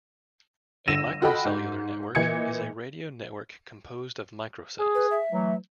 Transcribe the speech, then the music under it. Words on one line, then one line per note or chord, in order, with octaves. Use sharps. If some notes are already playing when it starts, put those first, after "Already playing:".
A microcellular network is a radio network composed of microcells.
G1 D3 E6 A#6 D#7 E7
F4 F#4 A4 D#5 G5 B5
G#2
A#2 E3 D#5 G#6 C#7
G#4
B4
E5
E3 F#3 A3